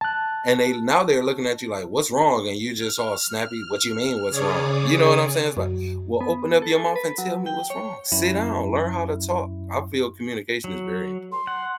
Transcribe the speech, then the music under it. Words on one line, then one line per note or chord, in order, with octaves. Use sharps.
and they now they're looking at you like, "What's wrong?" and you just all snappy, "What do you mean, 'What's wrong?'" you know what I'm saying? It's like, "Well, open up your mouth and tell me what's wrong, sit down, learn how to talk." I feel communication is very important.
A5 F#6
F6
C#3 G#4 C#5 D5 D6 D#6
F#2
B3
A4
B4
F#3
G5
C#5
F#2 E4
F#3
C6
F#5